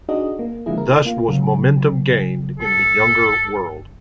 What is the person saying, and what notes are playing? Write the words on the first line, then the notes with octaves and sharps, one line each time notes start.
Thus was momentum gained in the Younger World.
D4 D#4 F#4 G#4 D#5
A#3
D3 F3 G#3 A#3 E4 G#4
A#4
A#3 F4
C#3 F#3
G1 A4